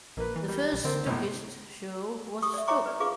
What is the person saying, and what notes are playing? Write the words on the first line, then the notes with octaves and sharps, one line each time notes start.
The first Stuckist show was Stuck!
A#1 A#3 B4
E3
G3
B1
D3 A#3 C4
B1 A2 C3
G4 C#6 D#6
D5 E5
C#5 E5 G5 A#5 C#6 D6
B4 D5
F4 G#4 B4 F5 C#6 D6